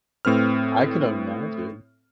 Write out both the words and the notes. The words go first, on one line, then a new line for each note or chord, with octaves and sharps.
I can imagine.
A2 C4 B4 F6